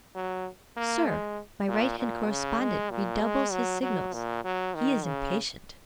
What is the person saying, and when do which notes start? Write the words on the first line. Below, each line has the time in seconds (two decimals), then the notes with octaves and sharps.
"Sir, my right-hand correspondent redoubles his signals; he is impatient."
0.15 F#3
0.77 A#3
1.07 G#3
1.68 A#2
1.99 A#2
2.30 C#3
2.60 G#3
2.90 A#2
3.21 G#3
3.52 F#3
3.82 F#3
4.13 A#2
4.44 F#3
4.75 D#3
5.05 C#3